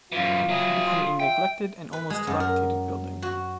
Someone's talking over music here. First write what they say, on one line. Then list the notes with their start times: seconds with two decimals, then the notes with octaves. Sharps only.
It had become a neglected and almost dilapidated building.
0.12 F#2 E3 F4
0.49 F#3 G#4 E5
0.86 C6
1.20 E5 G5
1.93 B4
2.10 G#3
2.27 F#2
2.40 A#4
3.22 F#4